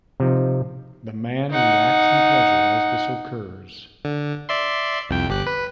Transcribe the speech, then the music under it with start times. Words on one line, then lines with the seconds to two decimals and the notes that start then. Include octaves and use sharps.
The man reacts in pleasure as this occurs.
0.20 C3 F3 D#4
1.51 D#4 F#5
4.05 D3
4.49 D5 E5 C6
5.09 C2 F2 G5
5.30 G1 G4 F#6
5.46 B4